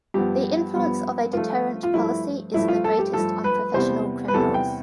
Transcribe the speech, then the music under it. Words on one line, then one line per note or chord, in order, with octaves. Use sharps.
The influence of a deterrent policy is the greatest on professional criminals.
G2 F3 B3 G4
G2 F3 B3
G2 F3 A3 F4
F4
G2 F3 A3 E4
G2 F3 A3 E4
F4
A4
G4
G2 F3 A3 A4
B4
E2 C3 G3 B3 C5
B4
E2 C3 G3 B3 A4
G5